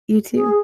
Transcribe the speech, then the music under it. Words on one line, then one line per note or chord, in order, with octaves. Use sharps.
You, too.
G#4